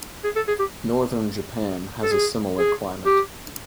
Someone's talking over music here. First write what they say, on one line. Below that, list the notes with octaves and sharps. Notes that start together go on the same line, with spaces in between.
Northern Japan has a similar climate.
G#4
A4
G#4
G4
A4
G#4
G#4
G4